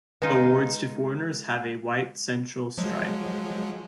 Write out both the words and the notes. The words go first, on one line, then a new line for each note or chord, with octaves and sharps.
Awards to foreigners have a white central stripe.
G#3 D#4 F4 B4
F3 F#3 G#3